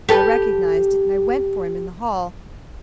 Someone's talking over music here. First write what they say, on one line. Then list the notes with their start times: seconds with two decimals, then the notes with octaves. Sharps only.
I recognized it, and I went for him in the hall.
0.09 G4 A4 B4